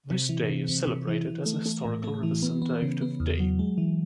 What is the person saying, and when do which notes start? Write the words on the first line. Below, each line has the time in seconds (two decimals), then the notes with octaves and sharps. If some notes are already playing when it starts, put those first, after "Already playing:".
This day is celebrated as a historical representative day.
0.11 C3
0.29 E3
0.50 C3
0.69 C3
0.87 C3
1.08 E3
1.27 E3
1.46 A3
1.66 A3
1.85 A2
2.04 A3
2.23 E3
2.42 B3
2.62 B3
2.82 C#3
3.01 B3
3.20 E2
3.39 F#3
3.59 G#3
3.78 E3